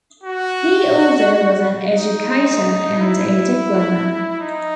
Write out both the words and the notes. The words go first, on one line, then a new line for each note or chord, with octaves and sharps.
He also was an educator and a diplomat.
F#4
D#4
E4
D#4